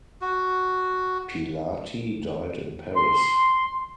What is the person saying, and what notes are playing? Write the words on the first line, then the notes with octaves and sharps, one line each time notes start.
Pilati died in Paris.
F#4
C6